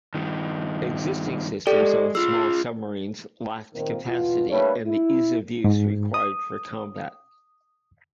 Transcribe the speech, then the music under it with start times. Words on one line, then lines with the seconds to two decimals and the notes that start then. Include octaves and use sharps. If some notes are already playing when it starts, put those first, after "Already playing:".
Existing systems on small submarines lacked capacity and the ease-of-use required for combat.
0.14 G2 D#3
1.67 A2 G4 A4 D5 G5
1.82 G#3
2.15 F4 G#4 E6
3.75 A#2 D#3 A#3 C4
4.07 E2 B2 F4
4.50 G3 A3 A#3 D4 B4 C#5
4.86 E4
5.64 G#2
6.14 D#6